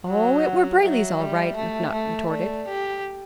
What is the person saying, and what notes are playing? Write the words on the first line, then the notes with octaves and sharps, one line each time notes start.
"Oh, it were Brayley's, all right," McNutt retorted.
F#3 F#5
F#3 E5
G3
A3
A3
A3 D5
G4